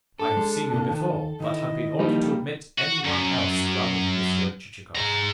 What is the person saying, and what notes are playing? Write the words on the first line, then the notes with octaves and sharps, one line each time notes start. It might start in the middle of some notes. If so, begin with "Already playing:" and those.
"I have seen you before, but have been ordered to admit any one else rather than Monsieur Chichikov."
D4 A4
G#3
C3 A#3
D#3
D#3 E3 E4 D#5
F3 G3 A#3 D#4
F#4
F#2
G#4 A#5